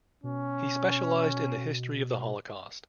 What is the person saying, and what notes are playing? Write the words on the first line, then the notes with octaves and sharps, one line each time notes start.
He specialised in the history of the Holocaust.
B2 C#4